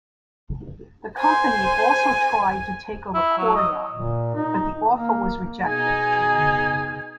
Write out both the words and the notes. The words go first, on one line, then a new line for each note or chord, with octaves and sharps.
The company also tried to take over Chorion but the offer was rejected.
C5 G#5
E4
F#3
D#5
A#2
D#4
A#3
B2 D#4 G#4 G#5